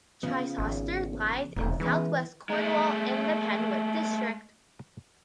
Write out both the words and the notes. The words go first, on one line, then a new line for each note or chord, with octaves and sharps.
Chysauster lies in southwest Cornwall in the Penwith District.
C#3 F3 B3
G#1
E1 G#2 C3
C#3 E3 G#3 B3
G#3 A3